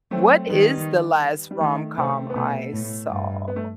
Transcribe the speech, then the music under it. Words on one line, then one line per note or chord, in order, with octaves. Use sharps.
What is the last rom-com I saw,
F#3 A3 C4
D#3 G3 B3
G3
D#3 A3
C3 A3 C4
B3
B2 A3
A2
G2
B3
A3